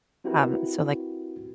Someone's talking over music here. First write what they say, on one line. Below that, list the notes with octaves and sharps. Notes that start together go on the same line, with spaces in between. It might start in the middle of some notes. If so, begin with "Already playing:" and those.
um, so, like,
C4 E4 F#4 G4 A#4 B4